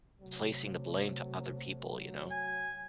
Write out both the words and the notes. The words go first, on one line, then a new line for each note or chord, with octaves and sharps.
placing the blame to other people, you know?
C3 F#3 A3
F#3
G#5